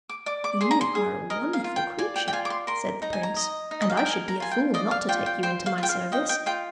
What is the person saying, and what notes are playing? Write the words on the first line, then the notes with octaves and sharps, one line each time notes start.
'You are a wonderful creature,' said the prince, 'and I should be a fool not to take you into my service.
D6
D5 D6
D6
G#4 C6
A#5
C6
G#4
A#4 D#5
F5
F4
G5
D5 G#5
G5
G5
F4 G#5
D6
C6
A#4 C6
D#4 A#5
G#5
A#5
D#5
D#4
D#5
F5
G5
A#4 G#5
A#5
F4 G#5
G5
D5 D#5
F5
F4 G5
G5
C5 G5
F5
F4 G5
F5
D#5 G5
G5
F4 G5